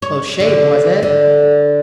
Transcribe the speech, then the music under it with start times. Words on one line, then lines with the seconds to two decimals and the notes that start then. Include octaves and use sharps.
"A close shave, was it?"
0.02 C#5
0.40 D3
1.03 D3